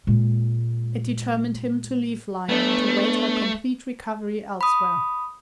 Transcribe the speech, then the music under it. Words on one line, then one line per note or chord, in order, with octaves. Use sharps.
It determined him to leave Lyme, and await her complete recovery elsewhere.
A#2 G#3
A3 B3 D4
B5 D#6